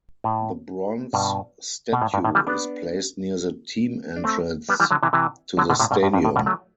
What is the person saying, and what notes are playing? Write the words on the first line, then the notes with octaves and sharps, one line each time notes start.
The bronze statue is placed near the team entrance to the stadium.
A2
G2 B2
B2
A2
G2
A2
E3 G3
B3 D4
D4
A3 C4
G3 B3
E3 G3
D3 F#3
C3 E3
C3 E3
D3 F#3
B2 D3
A2 C3
G2 B2
G2
G2
A2
G2 B2
F#3 A3